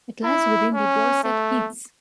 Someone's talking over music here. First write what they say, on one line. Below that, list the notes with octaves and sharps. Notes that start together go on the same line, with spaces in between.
It lies within the Dorset Heaths.
E4
C#4
A3